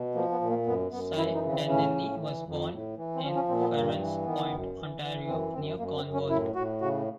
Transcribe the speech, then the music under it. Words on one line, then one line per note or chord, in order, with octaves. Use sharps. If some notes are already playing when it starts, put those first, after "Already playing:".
Cy Denneny was born in Farran's Point, Ontario, near Cornwall.
Already playing: B2
F3 A#3
B3
A#2
A#3
F#2 B3
F#2 B3
E3 E4
D#4
C#3
C4
A2 C#4
A2
E3
F2
A2
E3
C4
F3 C#4
C#4
A#2 C4
B3
G2 A#3
E3
D#3 B3
F#2
E3
E3
F#2 C4
F#2 C4
F#2 A#3
C4
F#2
C#4
A2 E4
A2 F#4
C#3 F#4